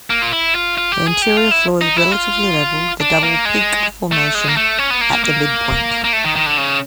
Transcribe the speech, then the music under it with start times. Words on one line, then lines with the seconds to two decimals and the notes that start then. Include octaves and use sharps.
The interior floor is relatively level, with a double-peak formation at the midpoint.
0.10 A#3
0.22 F4
0.33 E4
0.55 F4
0.78 F4
0.92 G4
1.07 G#4
1.22 G4
1.37 F4
1.51 E4
1.81 D#4
1.96 E4
2.11 F4
3.01 D4
3.23 A#3
3.45 G#3
4.12 A3
4.35 G#3
4.48 A#3
4.57 A3
4.78 C#4
4.90 B3
5.01 A#3
5.12 A#3
5.24 A#3
6.04 A#3
6.13 A3
6.24 D#3
6.36 D#3
6.46 D3
6.58 C#3